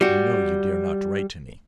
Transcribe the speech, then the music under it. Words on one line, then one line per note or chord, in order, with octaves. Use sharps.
You know you dare not write to me.
G3 F#4